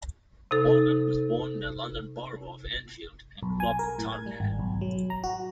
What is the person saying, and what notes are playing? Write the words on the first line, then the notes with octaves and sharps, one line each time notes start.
Morgan was born in the London Borough of Enfield and grew up in Tottenham.
C3 D#4 A4
B1
G#5
A#4
A2
G#6
G3
G#1
B1
F#3
A#5
F#4